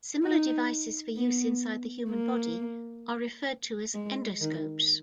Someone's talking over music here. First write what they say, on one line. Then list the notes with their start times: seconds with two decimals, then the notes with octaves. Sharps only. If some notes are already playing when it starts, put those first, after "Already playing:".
Similar devices for use inside the human body are referred to as endoscopes.
0.23 D#4
1.16 B3
2.08 A#3
3.94 G#3
4.40 D#3